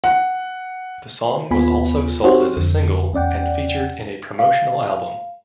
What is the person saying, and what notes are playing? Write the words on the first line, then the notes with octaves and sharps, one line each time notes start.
The song was also sold as a single and featured in a promotional album.
F#5
D#2 B3 F4 G#5 B5
C4 D#4 F#4 G4 C5 C#5
F2 D3
E2 C#4 D5 F#5 G5
F5